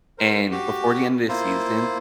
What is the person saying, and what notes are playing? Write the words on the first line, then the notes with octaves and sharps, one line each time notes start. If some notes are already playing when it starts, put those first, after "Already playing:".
and before the end of the season,
A#4 C5
F#4 G4
A#3 E4 F4 C5